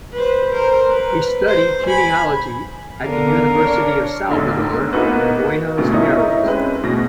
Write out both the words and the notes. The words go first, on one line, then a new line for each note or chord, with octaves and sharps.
He studied kineology at the University of Salvador in Buenos Aires.
B4 C5
A#4 C5
B4
C5
G#5 B5
D3 B3 A#4 F5
D4 C#5
F1 B1 G#2 D3
A#3 B3 D#4 F#4 B4
D2 G2 B2
D#4 E4 A#4 C#5 D#5
G#3 C4 C#4 B4
B2 A#6